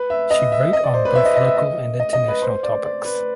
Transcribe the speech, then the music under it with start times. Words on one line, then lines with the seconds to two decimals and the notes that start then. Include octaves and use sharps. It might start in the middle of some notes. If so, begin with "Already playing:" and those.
She wrote on both local and international topics.
Already playing: B4
0.10 E5
0.31 D#5
0.52 E5
0.73 D#5
0.84 D5
0.94 C5
1.05 B4
1.15 E5
1.25 D#5
1.36 D#5
1.47 E5
1.57 D#5
2.00 D#5
2.13 D#5
2.28 B4
2.42 C5
2.63 D5
2.84 D5
3.05 B4